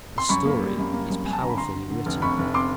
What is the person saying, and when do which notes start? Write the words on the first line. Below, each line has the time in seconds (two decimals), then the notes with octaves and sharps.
The story is powerfully written.
0.18 C6
0.29 F#2 B5 C#6
0.46 A#3
0.62 G3
0.78 F#2
0.93 A#3
1.10 F#2
1.26 F#2 G#5
1.33 A5
1.41 D3 A#5
1.49 B5
1.58 D3 A#5 C6
1.75 D3
1.90 D3
2.06 F1
2.22 F1 B5 C#6
2.39 F1
2.54 C6 D6